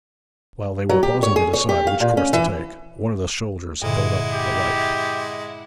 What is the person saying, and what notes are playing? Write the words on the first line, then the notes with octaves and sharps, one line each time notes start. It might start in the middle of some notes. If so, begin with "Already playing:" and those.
While they were pausing to decide which course to take, one of the soldiers held up the light.
F#3
G4
C#5
G#4
C#5
G4
F5
A#2
C#4
E3
G2 A#2 D3 G#3 E4 F#5
G4